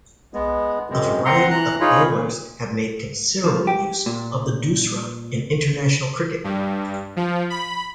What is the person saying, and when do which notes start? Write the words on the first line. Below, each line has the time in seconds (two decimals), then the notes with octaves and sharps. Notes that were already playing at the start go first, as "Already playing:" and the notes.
A variety of bowlers have made considerable use of the doosra in international cricket.
0.34 G#3 B3
0.90 F#2 C3 G#3
1.25 C4 F#5 A#5 C6
1.51 E3 A#5 F#6
1.81 D#4 F4 G#4 C#5 B5
2.08 A#2
3.44 F3
3.67 G4
4.06 A#2
6.44 G2
7.16 F3
7.50 B5